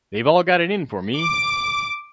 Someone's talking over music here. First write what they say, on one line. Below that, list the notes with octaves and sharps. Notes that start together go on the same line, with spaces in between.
They've all got it in for me!
D6